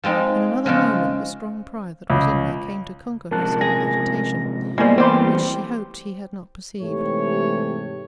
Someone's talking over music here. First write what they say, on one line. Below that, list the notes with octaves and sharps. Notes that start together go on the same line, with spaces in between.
In another moment the strong pride that was in her came to conquer her sudden agitation, which she hoped he had not perceived.
F3 G#3 C4 D#4
C#3 F3 G#3
C#2
G#2 C3 F3 A#4 A5 F#6
G#4 A#6
G2 G3 G#3 A#3 B3 E4 C5
E3 G3 A3 C4 G4 B4 C5 C6
G#2 C3 E3 A3 G4 C#5